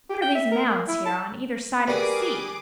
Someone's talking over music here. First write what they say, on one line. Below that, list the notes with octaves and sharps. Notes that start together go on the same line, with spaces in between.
"What are these mounds here on either side of the sea?"
G4
G5
E5
A#4
A#3
E4
A5
G3 F#4 G#4 A#4 B4 D5 D6 D#6